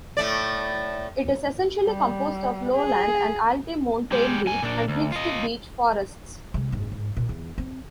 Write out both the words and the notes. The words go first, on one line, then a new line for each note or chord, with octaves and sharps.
It is essentially composed of lowland and alti-montane beech and mixed beech forests.
A2 A3 D5
G3
G#4
G#3 G4
G2 G#5
A#2 D4
D2
F4 D#5
C3 G#3
F#1 G#2
G#2
A#2
E2
C4